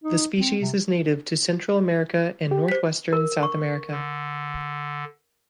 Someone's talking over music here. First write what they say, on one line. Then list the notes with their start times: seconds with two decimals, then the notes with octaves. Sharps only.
The species is native to Central America and northwestern South America.
0.04 D#4
0.37 C4
0.61 C3
2.51 G4
2.68 C5 B6
3.13 A#4
3.43 C#6
3.91 D3